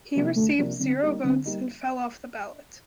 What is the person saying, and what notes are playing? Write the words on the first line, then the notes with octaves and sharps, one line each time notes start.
He received zero votes and fell off the ballot.
C3 F3 A#3 D4
D2 A3
C3 F3 A#3 D4
D3 C4
G3 A#3 D#4
D3 C4
G3 A#3 D#4